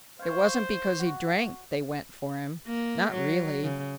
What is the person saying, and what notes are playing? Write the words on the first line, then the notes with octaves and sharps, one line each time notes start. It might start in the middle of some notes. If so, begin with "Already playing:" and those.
It wasn't because he drank they went for him; not really.
C5 C#5 F5
F#4
A#3
F#3
C#3